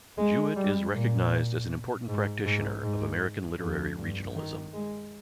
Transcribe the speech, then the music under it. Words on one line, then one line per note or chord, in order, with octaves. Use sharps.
Jewett is recognized as an important practitioner of American literary regionalism.
G#3
G3
A#2
G#2
G#2
G#2
F2
G2
D#3
G#3